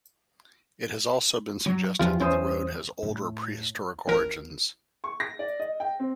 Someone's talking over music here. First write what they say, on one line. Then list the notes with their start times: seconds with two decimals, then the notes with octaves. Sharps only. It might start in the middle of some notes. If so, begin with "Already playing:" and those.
It has also been suggested that the road has older prehistoric origins.
1.66 F#3
1.99 E2 F3 F4 G4
2.20 E2 C#4 C5 D#6
3.02 A2
4.08 A1 A#4
5.04 C#6
5.20 A#6
5.39 D5
5.60 D#5
5.80 G5
5.99 C4